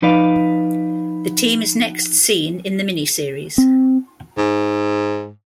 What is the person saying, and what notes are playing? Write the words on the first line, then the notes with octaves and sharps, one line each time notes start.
The team is next seen in the mini-series.
F3 D#4 B4 D5 F5
C4
G#2